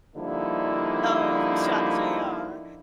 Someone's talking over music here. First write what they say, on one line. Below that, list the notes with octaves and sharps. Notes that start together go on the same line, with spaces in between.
Oh, "Who shot JR?"
D3 F3 G3 A#3 D#4 E4